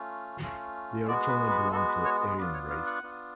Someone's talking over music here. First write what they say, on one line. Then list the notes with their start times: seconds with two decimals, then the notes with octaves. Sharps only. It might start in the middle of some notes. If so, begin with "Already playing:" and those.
They originally belong to Aryan Race.
Already playing: A3 C#4 F4
0.42 A3 C#4 F4
1.07 G#3 B3 F#4 D5
1.29 B4
1.50 B4
1.72 G#3 B3 F#4 A4
1.88 B4
2.05 C#5
2.21 F#4
2.37 B3 D4 F4 B4
2.54 C#5
2.70 F5
2.86 F#5
3.03 B3 D4 F4